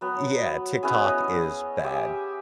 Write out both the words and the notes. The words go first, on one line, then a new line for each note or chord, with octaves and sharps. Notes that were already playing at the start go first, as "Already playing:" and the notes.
Yeah, TikTok is bad.
F#3 B3
B3 C#4 E4 G#4
D#5
G4 G#4 E5 C#6